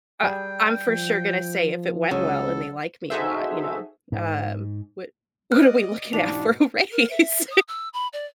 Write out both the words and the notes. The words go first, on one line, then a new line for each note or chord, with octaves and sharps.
Uh I'm for sure gonna say, if it went well and they liked me a lot, you know, um, "What what are we looking at for a raise?"
G3 G#4 G5
F3
C#2 C#3 F#3 A4 D#5
D#4 F#4 G#4 A4 C5 E5
G#2
D5 D#5 F6 F#6
G#2 B2 E3 D4 D#4 F#4 F7
A#4
E5
D#6
E6
B5
D5